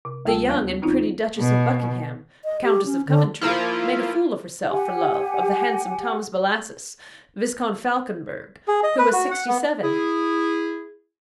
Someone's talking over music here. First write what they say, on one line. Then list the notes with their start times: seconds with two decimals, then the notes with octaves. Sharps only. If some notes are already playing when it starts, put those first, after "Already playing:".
The young and pretty Duchess of Buckingham, Countess of Coventry, made a fool of herself for love of the handsome Thomas Bellasys, Viscount Falconberg, who was sixty-seven.
0.05 C3
0.25 D2 G3 F4 G5 A5 E6
0.49 D#2 F3 A#3 B3 D4
0.82 E3 C4 C#4 D#4 F4
1.37 B2
2.45 D#5
2.63 G4
2.86 C#4
3.07 D3
3.41 F3 A#3 E4 F4
4.70 G4 F#5 G#5
8.68 G#4
8.83 D#5
8.98 B4
9.13 F#4
9.31 F#5
9.48 B3
9.82 E4 G#4